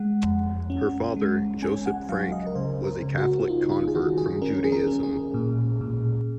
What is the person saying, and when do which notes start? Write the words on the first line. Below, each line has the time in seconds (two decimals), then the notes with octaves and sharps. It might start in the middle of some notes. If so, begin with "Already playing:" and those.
Her father, Josip Frank, was a Catholic convert from Judaism.
Already playing: G#3 F#5
0.24 F2
0.70 C#4
1.16 G#3
1.62 C#4 G#5
1.86 F#5
2.09 F#3 F5
2.32 D#5
2.47 A#4
2.55 C#3 C5
2.86 A#4
3.02 C#3
3.18 F#4
3.48 D#4 F4
3.72 F4
3.88 G#4
3.95 D#3 F#4
4.18 G#4
4.42 C#4 A#4
4.64 G#4
4.72 A#4
4.87 C#4
5.03 G#4
5.34 A#2
5.81 A#2